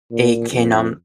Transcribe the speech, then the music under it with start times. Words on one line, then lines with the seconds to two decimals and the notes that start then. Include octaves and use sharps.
it can, um
0.11 A#2
0.52 F2